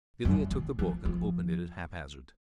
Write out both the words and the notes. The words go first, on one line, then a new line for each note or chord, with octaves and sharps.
Villiers took the book, and opened it at haphazard.
F#2
D#3
F3
F3